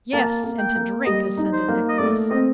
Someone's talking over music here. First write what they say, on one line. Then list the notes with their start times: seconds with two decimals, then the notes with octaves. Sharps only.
"Yes, and to drink," assented Nicholas.
0.13 A#3 A5
0.44 A#3
0.59 G5
0.76 A#3
1.06 G3 D#5
1.37 D#4
1.53 C5
1.68 A#3
1.89 D#5
1.99 A3 D5
2.30 C4 D#5